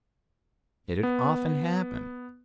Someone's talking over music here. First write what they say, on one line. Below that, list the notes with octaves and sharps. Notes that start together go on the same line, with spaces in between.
Did it often happen?
B3